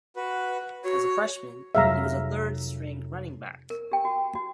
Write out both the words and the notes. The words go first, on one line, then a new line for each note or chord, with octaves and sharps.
As a freshman, he was a third-string running back.
F#4 B4
F#4 C#5
F1 F#3 G#4 E5 F5 A#5
A#4
G4 G5
F#4
F#4